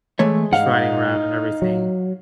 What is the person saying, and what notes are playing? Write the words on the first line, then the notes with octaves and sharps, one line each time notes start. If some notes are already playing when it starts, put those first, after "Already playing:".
just riding around and everything.
E3 G#3 A3 C#5
G#2 D#4 F5 F#5
F#3